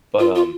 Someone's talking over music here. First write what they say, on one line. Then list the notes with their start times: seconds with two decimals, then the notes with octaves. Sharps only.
but, um,
0.19 F4
0.35 F4